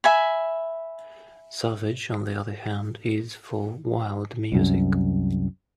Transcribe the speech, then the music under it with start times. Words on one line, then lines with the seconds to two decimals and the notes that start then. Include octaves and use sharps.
Savage, on the other hand, is for "wild" music.
0.04 E5 G#5 B5
4.52 C2 F#2